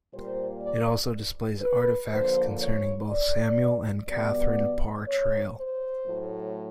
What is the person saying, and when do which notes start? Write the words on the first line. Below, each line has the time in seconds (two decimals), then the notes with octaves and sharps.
It also displays artifacts concerning both Samuel and Catharine Parr Traill.
0.12 A#2 G3 A#3 C5
0.62 D5
1.61 B4
2.11 D3 F3 A#3 C5
2.60 C#5
3.09 D5
4.08 B2 G3 B3 D5
5.08 C#5
5.57 C5
6.06 A2 F#3 A3